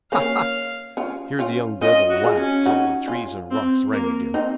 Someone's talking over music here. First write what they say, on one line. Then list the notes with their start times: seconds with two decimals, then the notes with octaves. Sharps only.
Ha, ha!'--here the young devil laughed till the trees and rocks rang again.
0.12 A#3 C#4 F5
0.97 C#4 F4
1.39 C#4 F4
1.81 C#4 F4 D#5
2.09 F#4
2.24 F4 G#4
2.37 C#4
2.66 D#4 F#4
3.08 C#4 F4
3.50 C4
3.92 A#3
4.34 C4 D#4